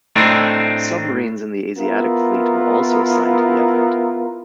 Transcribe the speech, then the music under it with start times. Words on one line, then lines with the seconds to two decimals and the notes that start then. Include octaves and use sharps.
Submarines of the Asiatic Fleet were also assigned to the effort.
0.16 A2 A3 C4 D4 D#4
1.77 B3 E4 F4 A#4